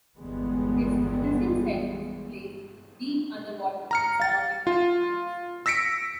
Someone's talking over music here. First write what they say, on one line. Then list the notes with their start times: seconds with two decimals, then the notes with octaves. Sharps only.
His prison cell is placed deep underwater and surrounded by mines.
0.17 G1 E2 D3 G3 G#3 B3
3.91 A#5 F6 C#7
4.20 F5 A6
4.67 F4
5.66 E6 A#6 B6 C#7 D7